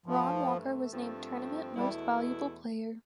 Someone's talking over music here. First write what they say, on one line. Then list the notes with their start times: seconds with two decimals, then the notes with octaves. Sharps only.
Ron Walker was named Tournament Most Valuable Player.
0.06 G2 E3 F3 A3 E4
0.91 G2 F3 A3 C4
1.76 E2 B2 G3 A3 E4